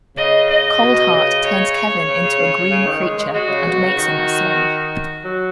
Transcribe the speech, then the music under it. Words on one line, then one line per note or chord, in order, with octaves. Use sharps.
Coldheart turns Kevin into a green creature and makes him a slave.
C#3 D#5
D#5
B2
C#3
C#5
C#3
C#3
C#3
C#3
D#3
G#3
G#3
G#3 F#4
C#3
B2
C#3
D#3
F#3